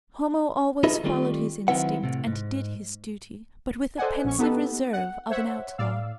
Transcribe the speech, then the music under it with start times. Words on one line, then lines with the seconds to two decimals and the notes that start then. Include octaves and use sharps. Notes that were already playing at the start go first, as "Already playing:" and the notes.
Homo always followed his instinct and did his duty, but with the pensive reserve of an outlaw.
0.84 D#4 F4 G#4 B4 D#5 E5
1.04 D#3 G3 A3 C4 D#4 F4
1.68 D#3 F#3 C4 E4 B4 F#5
2.03 A2 C3
2.27 G#2
3.98 A4 C5 D5 D#5 F#5 G#5
4.24 A#1 C#4 C#6
4.39 B3 D#4 G4 A4 B4
4.93 F#5
5.30 C5 C#5 E5 F#5
5.78 A2 D5 F5 E6